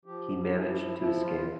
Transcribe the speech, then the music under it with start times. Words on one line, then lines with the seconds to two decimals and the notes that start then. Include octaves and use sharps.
He managed to escape.
0.05 F3 G4
0.52 F3 E4
0.98 F3 E4
1.22 F4